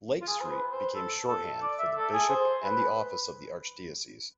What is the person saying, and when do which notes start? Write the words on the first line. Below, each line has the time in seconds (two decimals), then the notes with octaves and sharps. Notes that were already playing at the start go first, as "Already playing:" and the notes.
"Lake Street" became shorthand for the Bishop and the office of the Archdiocese.
0.21 F4
0.27 G#4
0.40 C5
0.50 B4
0.72 C5
0.95 A4
1.28 A4
1.62 D5
1.79 E5
1.96 A4
2.13 G#4
2.29 C5
2.63 B4